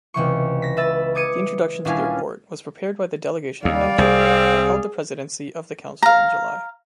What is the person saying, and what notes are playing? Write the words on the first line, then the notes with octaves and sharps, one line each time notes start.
The introduction to the report was prepared by the delegation of Nigeria that held the presidency of the Council in July.
C#2 C3 E3 C#6
A#6 B6
B4 E5 E6 A6
D6 D#6 G#6 C#7 D#7
D#1 C#4 D4 E4 F5 G#5
D#2 G3 D5 F5
C2 C4 G#4
F5 A#5